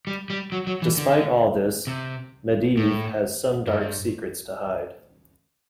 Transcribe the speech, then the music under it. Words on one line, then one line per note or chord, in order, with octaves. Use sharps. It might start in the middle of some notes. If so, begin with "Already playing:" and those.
Despite all this, Medivh has some dark secrets to hide.
G3
G3
F#3
F#3
E3
D3
C3
A2
G2